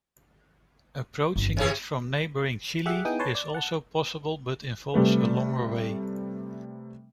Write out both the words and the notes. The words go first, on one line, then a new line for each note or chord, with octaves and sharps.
Approaching it from neighboring Chile is also possible but involves a longer way.
G1 F2
C3 C#4 G#4
G4 G#4 E5 F#5
B3 D#4 E4 G#4 G5 D#6
B4 C#5 G#5 A5 C6
D5
F#5 A5
C3 G3 A3 B4